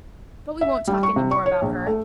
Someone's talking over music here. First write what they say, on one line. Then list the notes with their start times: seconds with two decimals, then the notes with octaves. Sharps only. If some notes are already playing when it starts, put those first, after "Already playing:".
But we won't talk any more about her.
0.61 E5
0.87 G3
1.03 C#6
1.16 C3
1.31 C#6
1.46 C#5
1.62 A#1
1.87 A3